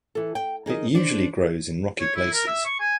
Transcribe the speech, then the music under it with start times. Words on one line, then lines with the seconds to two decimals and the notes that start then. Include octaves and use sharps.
It usually grows in rocky places.
0.15 E3 A4
0.35 G5
0.66 D#4 G#4 A#4 D#5
0.95 D4 C5
2.01 C#5
2.16 E4
2.34 A#4
2.47 E5
2.66 C#6
2.80 G#5